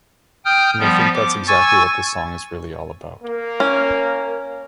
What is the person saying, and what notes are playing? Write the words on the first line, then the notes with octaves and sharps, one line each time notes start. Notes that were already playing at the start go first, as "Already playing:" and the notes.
And I think that's exactly what this song is really all about.
G5 D#6 F6 G6
F3 G3 B3
D6
G#5 C#6 E6 G#6 A6
A#3 A#4
C#4